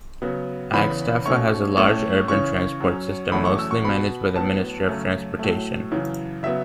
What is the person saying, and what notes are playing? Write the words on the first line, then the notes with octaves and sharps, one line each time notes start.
Aghstafa has a large urban transport system, mostly managed by the Ministry of Transportation.
C#3 F#3 B3
E2 C#3 E3 B3 B5
B2 A3 C#4 C#6
A2 A3 C#4 C#6
C#3 E3 C#4 C#6
F#2 F#3 C#4
E2 B2 F#3 A3 C#4 B5
C#6
E6
C#6
B2 B3 B5
A2 F#3 B3 A5
F#2 C#3 A3 C#4
A2 F#3 A3
F#2 C#3 E3
C#3 F#3 B3 E5